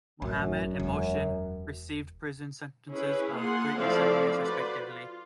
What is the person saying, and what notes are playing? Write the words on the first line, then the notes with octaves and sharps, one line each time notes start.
Mohammed and Mohssin received prison sentences of three and seven years respectively.
A1 F#2
E1
C#4 E4 G#4 B4
A#3 F4 G#4 F#5 C6
F3 A3 C4 E4 D5 F5
F#4 B4 C5 D5
F4